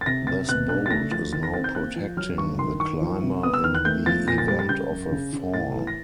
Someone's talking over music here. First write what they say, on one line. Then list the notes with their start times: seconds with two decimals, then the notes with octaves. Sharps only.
This bolt is now protecting the climber in the event of a fall.
0.01 A6
0.06 C3 A#6
0.27 C3 A6
0.49 B2 F#6
0.69 D4 F#6
0.86 A6
0.91 A3 A#6
1.11 F3 A6
1.33 D#3 A6
1.43 A#6
1.54 C4 A6
1.64 G6
1.75 A#3 F#6
1.96 F3
2.17 F#3 F6
2.38 G2 C#6
2.59 D#3 C6
2.80 D#3 C#6
3.01 F3
3.23 C3
3.43 B3 D#6
3.54 E6
3.64 D#3 F6
3.75 F#6
3.85 A3 G6
4.06 F3 A6
4.27 A#2 A#6
4.38 A6
4.48 G3 A6
4.59 A6
4.69 C#3 G6
4.91 F#2
5.11 C#3
5.33 C#3
5.54 A2 A6
5.75 E3
5.87 A#6